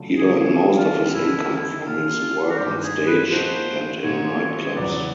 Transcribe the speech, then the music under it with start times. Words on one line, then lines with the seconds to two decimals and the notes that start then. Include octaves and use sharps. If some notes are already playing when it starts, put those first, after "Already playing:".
He earned most of his income from his work on stage and in nightclubs.
Already playing: C#3 F#3 A3 D4 F4
0.17 G#4
0.40 D#3 G#3 C#4 F4 G#4
0.77 F4
1.13 F2 D3 F3 A#3 E4
1.86 F3 A#3 C#4 F4
2.50 F#4
2.58 G2 D#3 G#3 B3 E4 G4
2.83 G#4
3.07 B4
3.31 F3 A#3 D#4 F#4 C5
4.03 G#2 D#3 G#3 C4 C#5
4.76 E2 C#3 F#3 B3 D5